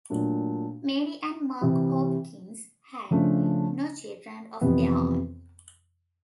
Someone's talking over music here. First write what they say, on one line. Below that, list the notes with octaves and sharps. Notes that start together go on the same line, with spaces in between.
Mary and Mark Hopkins had no children of their own.
A#2 F#3 A3 D4
C3 E3 G3
C#3 F3 A3 D4
F2 C3 E3 G3 B3